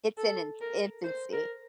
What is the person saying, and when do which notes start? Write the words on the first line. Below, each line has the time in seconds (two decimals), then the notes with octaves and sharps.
it's in an infancy.
0.18 A4
0.61 A#4
1.04 C5
1.33 A#4